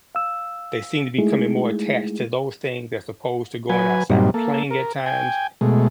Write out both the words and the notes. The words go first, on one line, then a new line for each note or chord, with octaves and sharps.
they seem to becoming more attached to those things as opposed to going outside playing at times,
F5 E6
G#3 A3 D#4 E4 G#4
F#3 B4 G#5
G2 A#2 F#3 G3 C4 D#4
A#3 A4
A#4
G5 G#5
B2 G#3 A3